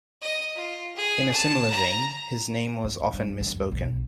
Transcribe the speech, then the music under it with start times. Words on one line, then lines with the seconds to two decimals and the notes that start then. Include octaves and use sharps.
In a similar vein, his name was often misspoken.
0.21 D#5
0.55 F4
0.96 G#4
1.31 A5
1.70 A#5
2.84 C4
3.13 G2
3.41 D3
3.55 E2
3.72 B1